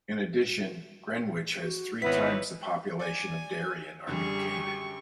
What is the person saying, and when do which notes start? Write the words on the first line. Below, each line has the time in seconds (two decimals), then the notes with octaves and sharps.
In addition, Greenwich has three times the population of Darien or New Canaan.
1.63 F#4
2.02 G#1 B3 E4 B4 C#5 E5 B6
2.99 D5 G#5
4.07 F#2 D3 G3 G4 G#4 C#6